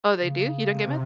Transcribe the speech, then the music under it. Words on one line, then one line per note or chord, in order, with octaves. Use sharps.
Oh, they do? You don't get mad?
C#3
C3